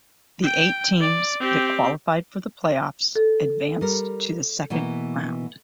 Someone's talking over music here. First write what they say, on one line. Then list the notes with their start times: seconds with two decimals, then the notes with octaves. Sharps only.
The eight teams that qualified for the playoffs advanced to the second round.
0.43 G5
1.01 D5
1.40 C4 G4
3.16 A4
3.81 G3 A#4
4.70 B2 E3 A#3